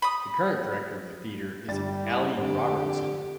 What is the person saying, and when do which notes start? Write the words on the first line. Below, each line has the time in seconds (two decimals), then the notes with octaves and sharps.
The current director of the theatre is Ali Robertson.
0.02 B5 D#6
1.68 G1 G3 D5 A6
2.02 E4
2.38 F2 D3 G4 A4